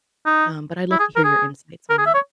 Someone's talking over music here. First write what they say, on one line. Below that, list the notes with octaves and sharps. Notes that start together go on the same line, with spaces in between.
um, but I'd love to hear your insights on that.
D#4
E4
G#4
A#4
G#4
A#4
G#4
E5
C#5